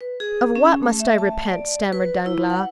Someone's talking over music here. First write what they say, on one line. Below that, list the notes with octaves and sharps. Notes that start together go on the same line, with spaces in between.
"Of what must I repent?" stammered Danglars.
B4
G#4
C#4
A3
E5
A5
D5
B4
E4
F#5